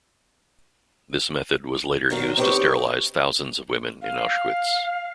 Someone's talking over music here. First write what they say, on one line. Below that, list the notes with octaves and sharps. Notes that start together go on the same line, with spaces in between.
This method was later used to sterilize thousands of women in Auschwitz.
A#2 D#3 F#3
C4 D#4 G4 G#4 B4 C#5
F5